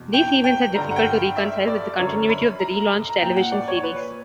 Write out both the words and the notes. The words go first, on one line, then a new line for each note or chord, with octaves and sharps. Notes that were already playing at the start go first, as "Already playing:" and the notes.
These events are difficult to reconcile with the continuity of the re-launched television series.
Already playing: E2 B2
G5
G5
G2 D3 A#5
F#5
G5
G5
E5
D5
F#2 D3 C#5
B5
A#5
A#5
A#2 G5
F#5
D5
C#5
B4